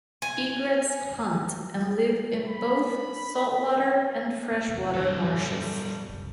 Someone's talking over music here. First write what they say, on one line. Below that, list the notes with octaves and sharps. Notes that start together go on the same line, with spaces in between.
Egrets hunt and live in both saltwater and freshwater marshes.
G#5
B5
E2 C3 E3
F2 A#2 D3 G3 A4
F#1 C2